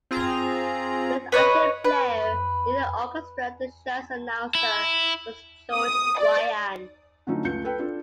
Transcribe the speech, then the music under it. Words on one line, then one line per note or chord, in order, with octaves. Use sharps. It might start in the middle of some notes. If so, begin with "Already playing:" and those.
With Archie Bleyer leading the orchestra, the show's announcer was George Bryan.
C4 F4 G#4 A#5
B4 C#5 D#5
B4
E4
D#6
D5
D3 F3 F#3 A3 C#4 D#4
C#2 A3 G6 C#7
A4 B4 G5
D4 F4 A4